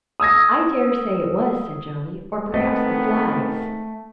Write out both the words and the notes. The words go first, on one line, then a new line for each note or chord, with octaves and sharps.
"I daresay it was," said Johnny;--"or perhaps the flies."
D#6 E6 G#6 A#6
G#2 D#3 A3 B3 C4 D#5